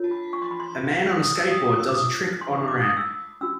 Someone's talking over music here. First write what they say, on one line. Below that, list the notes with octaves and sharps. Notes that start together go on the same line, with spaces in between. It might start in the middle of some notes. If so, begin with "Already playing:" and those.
A man on a skateboard does a trick on a ramp.
Already playing: F4 A#4 C#5
B5
C#6
C6
B5
C6
D#6
E6
D#6
F4 A4 C#5 D#6
E6
D6
D#6
C6
C#6
D6
D#6
E6
C#4 F#4 E6